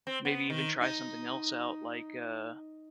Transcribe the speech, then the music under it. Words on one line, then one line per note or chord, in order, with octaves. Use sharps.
maybe even try something else out like, uh
C4
B3
D#3
D#4